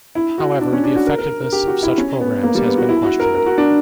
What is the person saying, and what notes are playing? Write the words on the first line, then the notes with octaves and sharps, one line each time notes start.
However, the effectiveness of such programs has been questioned.
E4
F#4
D4
C#4
D4
F#4
A#4
A#4
A#4
G4
F#4
E4
C#4
B3
A#3
G3
B3
F#4
E4
F#4
A#4
A#4
F#4
D4